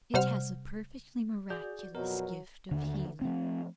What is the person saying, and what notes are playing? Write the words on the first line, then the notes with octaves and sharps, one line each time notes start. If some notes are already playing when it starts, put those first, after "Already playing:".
It has a perfectly miraculous gift of healing.
C3 G3 C5 F#5 F6
F#4 G#4 D5 G6
F2 B2 F#3 A#4
D#2 D3
F3 A3 C4